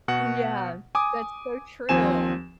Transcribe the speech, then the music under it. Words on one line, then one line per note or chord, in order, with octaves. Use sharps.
Yeah, that's so true.
B2 F#4 F#5
G#5 D6 D#6
D#2 F3 C4 G#5 E7